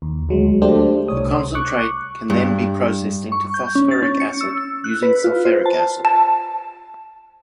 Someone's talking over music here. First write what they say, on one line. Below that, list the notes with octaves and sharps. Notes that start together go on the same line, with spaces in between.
The concentrate can be then processed into phosphoric acid using sulphuric acid.
D#2
D2 F#3 G#3
A3 D4 G4 C5
C2 C#5 D#6
C#6 D6 F#6
G2
C#6
G6
C#4
A6
C#4
C#7
E6
F#6
B4
F4
C5
A5
A5